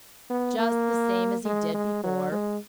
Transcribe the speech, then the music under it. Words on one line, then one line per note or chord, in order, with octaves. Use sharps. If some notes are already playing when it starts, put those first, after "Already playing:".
"Just the same as he did before?"
B3
A#3
G#3
G#3
F#3
G#3